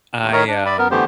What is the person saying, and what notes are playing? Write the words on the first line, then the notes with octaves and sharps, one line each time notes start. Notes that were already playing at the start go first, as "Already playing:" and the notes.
I, um,
D#2
D#3 A#4 C#5 D#5 A#5 D#6
D4
D5 B5
B3 A#4
D3 E3 A3 B3 G4 C5